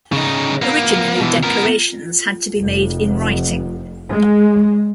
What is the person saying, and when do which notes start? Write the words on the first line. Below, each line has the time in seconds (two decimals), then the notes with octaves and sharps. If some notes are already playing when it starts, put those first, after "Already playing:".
Originally, declarations had to be made in writing.
0.12 C#3 D#4
0.62 A#3 B3
1.20 B2 E3
1.43 B3 A#4
2.59 F1
4.09 G#3